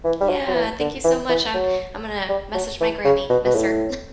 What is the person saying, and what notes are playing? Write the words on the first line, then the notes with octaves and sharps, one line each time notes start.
Yeah, thank you so much, I'm I'm gonna message my Grammy, miss her.
E3
G3
F#3
F#3
E3
D3
E3
E3
F#3
G3
F#3
E3
C#3
B2
B2
A2